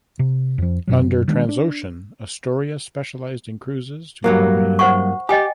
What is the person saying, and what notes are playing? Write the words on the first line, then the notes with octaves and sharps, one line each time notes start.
Under Transocean "Astoria" specialized in cruises to Norway and Europe.
C3
F2 F3
F#2 B2 F#3
D#3 G#3 C#4 D4
D4
G2 F#3 A#3
C5 F#5 C#6
G4 D#5 G5 G#5